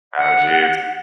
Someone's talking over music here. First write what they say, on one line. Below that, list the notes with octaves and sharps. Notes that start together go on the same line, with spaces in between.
Oh, jeez.
F#5